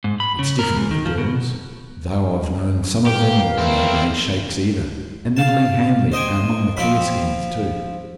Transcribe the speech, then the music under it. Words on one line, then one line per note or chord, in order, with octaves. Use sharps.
It's different with girls--though I've known some of them that were no great shakes either, and middling handy among the clearskins too.'
G#2
B5
C#3
A#4
G#2
D#3
F3
B2
G4 A#4 B4 F5
C4 E4
F5 A5
C5 D#5 G5 G#5
F3 C4 G5 B5